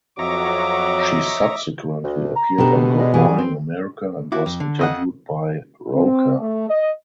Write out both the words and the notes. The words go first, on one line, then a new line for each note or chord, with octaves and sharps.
She subsequently appeared on Good Morning America and was interviewed by Roker.
F2 F#3 C#5 D#5 E5 A#5 D6
D2
A#5
B2 D4 G4 A4
C3 G3 G#3
E3 G3 F#4 G#4
C4
E4 F#4 D6
F2
D3
F2 D#5 F#5
C4
A3
D#5